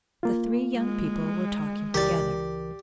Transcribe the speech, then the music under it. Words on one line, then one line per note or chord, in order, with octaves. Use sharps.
The three young people were talking together.
A#3 F4
G#3
C#2 E3 G4 A#4 D5